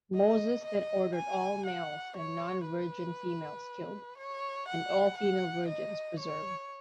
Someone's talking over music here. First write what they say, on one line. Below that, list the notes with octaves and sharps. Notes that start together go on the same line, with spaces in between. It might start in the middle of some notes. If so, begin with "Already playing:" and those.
Moses then ordered all males and non-virgin females killed, and all female virgins preserved.
D#5
D#5
G#5
F#5
C#5
B4
C#5
F#5
F#5
D#5
C#5